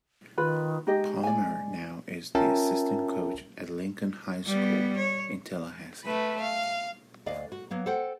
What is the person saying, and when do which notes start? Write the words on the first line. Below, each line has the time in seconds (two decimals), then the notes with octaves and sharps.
Palmer now is the assistant coach at Lincoln High School in Tallahassee.
0.38 D#3 F4 B4 B5
0.87 G#3 D#4 G4 D#5
1.24 D5 G#5
2.35 C#4 F4 A#4 E5 G5 A5
4.47 G3 B3
4.97 C#5
6.04 A3 B4
6.40 F5
7.26 D2 D5 D#5 F5
7.52 F#4
7.71 F#3 A#3 B3
7.86 A4 C5 F#5 G5